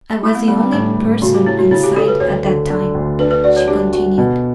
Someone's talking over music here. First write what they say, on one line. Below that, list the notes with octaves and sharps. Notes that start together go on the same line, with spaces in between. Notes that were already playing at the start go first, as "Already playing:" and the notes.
"I was the only person in sight at that time," she continued.
A3 E4
B3
G3 B3
C#4
A2 D4
A2
C#3 F#4
G4
C#4 E4
F#4
C#3 E4
G4
C#3 A4
B4
D2 C#5
D3
D3
D2
D4 B4
B4
F#4 D5
C#5
D4 G4
F#4
B2